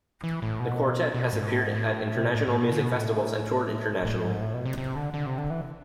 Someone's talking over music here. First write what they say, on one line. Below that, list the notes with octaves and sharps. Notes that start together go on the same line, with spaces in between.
The quartet has appeared at international music festivals and toured internationally.
E3
A2
B2
B2
G#2
A2
G#2
A2
C3
B2
A2
A2
B2
D3
B2
A2
A2
G#2
A2
B2
C3
C3
D3
D3
C3
D3
E3